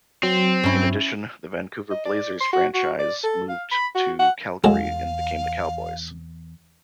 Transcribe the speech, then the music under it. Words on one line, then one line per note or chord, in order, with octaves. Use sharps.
In addition, the Vancouver Blazers franchise moved to Calgary and became the Cowboys.
F#3 C4
G2 C#4 E4
D#5
D5
C6
F#4
F#4
D5
A4
F5
B5
F#4
F#5
E2 F#3 G#3 G#4 A4 F5 E7